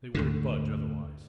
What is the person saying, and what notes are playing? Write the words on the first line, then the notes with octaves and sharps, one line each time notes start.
They wouldn't budge otherwise.
D2 G#2 D3